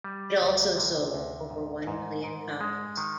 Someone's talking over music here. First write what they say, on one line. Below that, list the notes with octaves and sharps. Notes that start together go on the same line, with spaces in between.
It also sold over one million copies.
G3
D2
C3
D2
G#2
G#2
G#2
G#3
D#3